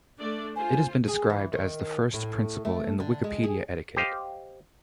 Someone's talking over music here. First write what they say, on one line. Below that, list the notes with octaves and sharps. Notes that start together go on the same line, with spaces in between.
It has been described as "the first principle in the Wikipedia etiquette".
A3 D4 D5
F4 C5 G#5
G#4
E3
D#3
A2
A3
D3
G#3
G#4
G4 C5 D#5 F5